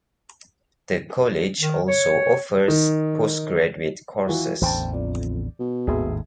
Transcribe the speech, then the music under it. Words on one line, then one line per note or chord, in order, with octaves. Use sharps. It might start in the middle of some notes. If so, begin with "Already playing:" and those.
The college also offers postgraduate courses.
D#3
C#5
D#3
E3 F4 F#4
A1 E2 D3 C5 G5 A5
F2 D5
B2
G#1 D#2 A2 G#4 E5